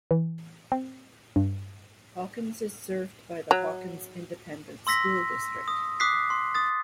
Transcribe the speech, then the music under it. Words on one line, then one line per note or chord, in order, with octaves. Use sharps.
Hawkins is served by the Hawkins Independent School District.
E3
C4
G2
F#3
C6 E6 A#6 B6
D#6
D6 D#6 F#6 B6 C7
C6
D#6 A6